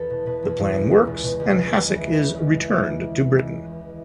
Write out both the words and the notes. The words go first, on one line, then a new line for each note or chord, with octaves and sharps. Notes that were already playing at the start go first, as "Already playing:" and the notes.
The plan works, and Hasek is "returned" to Britain.
Already playing: E2 A4 B4
B2
B2 B4
E2
E2
C#2
C#2
B2
B2
C#2
C#2
C#2
E3
C#3
C#2
C#2
E3
C#2
E3
C#3
C#2
C#2
E3
E2
E3